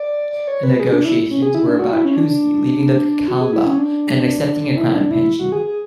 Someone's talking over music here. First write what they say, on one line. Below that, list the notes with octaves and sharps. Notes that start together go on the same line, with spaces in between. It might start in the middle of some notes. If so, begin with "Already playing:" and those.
The negotiations were about Cusi leaving the Vilcabamba and accepting a Crown pension.
Already playing: D5
D5
C#5
B4
G#4
D4
E4
C#4
G#4
E4
D4
F#4
E4
C#4
D4
D4
F#4
G#4
E4
C#4
D4
E4
D4
E4
F#4
G#4
G#4